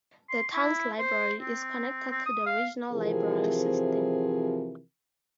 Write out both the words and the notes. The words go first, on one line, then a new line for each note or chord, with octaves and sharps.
The town's library is connected to the regional library system.
C6
E4
C5
C4
C4
D#6
F5
C3 E3 F3 C4 G#4 A#4